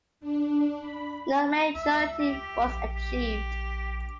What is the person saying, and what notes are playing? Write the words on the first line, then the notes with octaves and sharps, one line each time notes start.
No majority was achieved.
D4
B5
C#2 E5
G4
A#1
G4